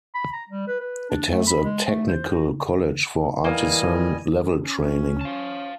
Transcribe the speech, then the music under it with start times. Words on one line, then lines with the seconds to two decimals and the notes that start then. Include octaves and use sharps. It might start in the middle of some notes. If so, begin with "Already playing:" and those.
It has a technical college for artisan level training.
0.15 B5
0.33 A#5
0.49 G3
0.68 B4
0.80 B4
1.10 D4
1.31 A3
1.47 B5
1.64 G#3
1.88 A3
2.08 C5
2.32 F#4
3.44 E3 G3 A#3 D#5 G#5
4.64 C#4
5.21 F5 A5